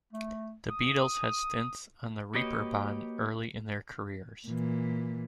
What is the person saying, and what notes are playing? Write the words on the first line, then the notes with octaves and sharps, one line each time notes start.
The Beatles had stints on the Reeperbahn early in their careers.
A3
D#6
A#3 F#4 G4 B4 C#5 D#5
A#2 E3